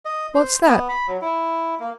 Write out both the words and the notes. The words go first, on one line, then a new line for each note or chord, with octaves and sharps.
What's that?...
D#5
C5
B3
B5
F#3
E4
A#3